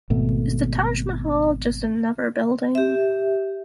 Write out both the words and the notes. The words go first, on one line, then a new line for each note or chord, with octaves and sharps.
Is the Taj Mahal just another building?
G#1 B2 A3
G4 E5